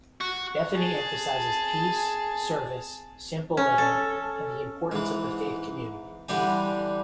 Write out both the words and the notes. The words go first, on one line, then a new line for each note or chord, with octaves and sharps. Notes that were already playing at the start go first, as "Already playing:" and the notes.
Bethany emphasizes peace, service, simple living, and the importance of the faith community.
F#4
G#4 A5
C#4
A4
G#2 E3
D3 E3 G3 G4 G#5